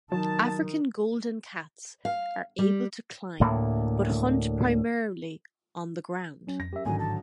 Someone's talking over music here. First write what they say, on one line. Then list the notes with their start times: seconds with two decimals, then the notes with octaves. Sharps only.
African golden cats are able to climb, but hunt primarily on the ground.
0.12 D#3 F#3 A5
2.05 F5
2.59 G3
3.40 D2 A2 A#3
6.47 F#3 C#4
6.60 F2 A#6
6.73 F#2 G4 E5
6.85 A1 G#2 D3 D#3 F#3 G#5
6.99 A5